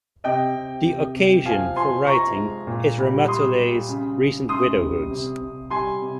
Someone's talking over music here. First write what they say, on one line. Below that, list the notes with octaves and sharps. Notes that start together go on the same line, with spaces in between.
The occasion for writing is Ramatoulaye's recent widowhood.
C3 D#5 G5
C3
C3
C3
F3 F5 G#5
F3 G#5 C6
F3 A#5 C#6
G#3
A#2
G3
G3 C6 D#6
G3
C#3
C#3
C#3 C6 D#6
G3
C3
C3
G3 G#5 C6
C3